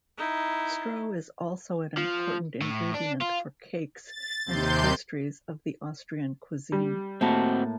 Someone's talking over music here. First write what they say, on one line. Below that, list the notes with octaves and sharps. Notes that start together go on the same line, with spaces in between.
Stroh is also an important ingredient for cakes and pastries of the Austrian cuisine.
D#4 E4
F3
A2
D4
F4
A6
D#2 C3 C6 G6
G3
A2 A#3 C4 F#4 A5